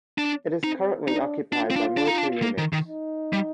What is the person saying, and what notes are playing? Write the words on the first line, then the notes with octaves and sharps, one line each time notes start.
It is currently occupied by military units.
D4
C4 D#4
D4 D#4
D4 F4
C4
D4
D4
D#4
D4
A#3
D#3
D#3
D#4
G3